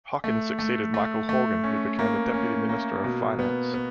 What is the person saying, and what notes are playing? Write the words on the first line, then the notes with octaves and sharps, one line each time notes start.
Hockin succeeded Michael Horgan who became the Deputy Minister of Finance.
A3
A3
A3
A3
C#4
A#3
C#4
A#3
B2
B3
B3